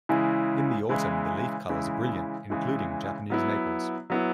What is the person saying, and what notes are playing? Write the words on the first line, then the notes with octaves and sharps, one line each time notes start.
In the autumn, the leaf colours are brilliant, including Japanese maples.
C#3 E3 G#3 E4
C#3 E3 G#3 E4
C#3 E3 G#3 E4
C#3 E3 G#3 E4
F#3 B3 E4
F#3 B3 E4